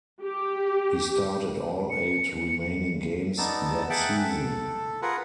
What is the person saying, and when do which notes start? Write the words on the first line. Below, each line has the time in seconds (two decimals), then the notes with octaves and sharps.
He started all eight remaining games that season.
0.22 G4
1.90 C#7
3.38 B3 D#4 D5 A5 E6
3.90 G#4 E5 F#5 G5 A5 F#6
4.23 A4
5.02 F4 G#4 A#4 B4 F#5